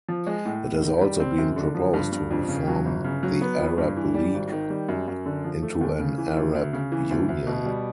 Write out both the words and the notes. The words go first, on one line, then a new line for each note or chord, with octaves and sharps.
It has also been proposed to reform the Arab League into an Arab Union.
F3
G#3
A2
A2
D#3
G3
C4
F#2
D3
F3
G2
G2
F2
C#3
F#3
G1
C#3
F#3
B3
F2
G2
E3
G3
G#1
D#3
G3
F#2
F#2
D3
F3
A3
D#2
C#3
E3
D2
D2
C#3
E3
D2
D2
B2
G3